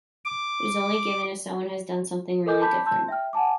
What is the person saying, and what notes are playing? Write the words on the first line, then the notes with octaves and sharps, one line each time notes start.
It is only given if someone has done something really different.
D6
A4 A#4 D#5 G#5 D6 G6
A5 B5 D6 G6 B6
A5 C6 E6 G6
E5 G5 F6
F#5 G#5 A5 D6